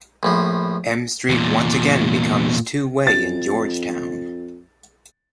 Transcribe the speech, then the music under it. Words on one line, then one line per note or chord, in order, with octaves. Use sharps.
M Street once again becomes two-way in Georgetown.
A#1 A2 F3
E2 A#2
F2 A6